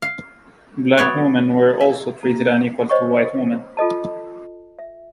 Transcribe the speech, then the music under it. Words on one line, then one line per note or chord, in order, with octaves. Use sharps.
Black women were also treated unequal to white women.
F5
F#3 B3 C#5 D5
E5
A#3
C5 C#5 D#5 G5 C#6
F4 A4 D#5 A5
E5